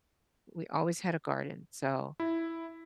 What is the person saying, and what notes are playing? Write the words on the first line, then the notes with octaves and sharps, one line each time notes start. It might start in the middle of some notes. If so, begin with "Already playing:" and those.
We always had a garden, so,
E4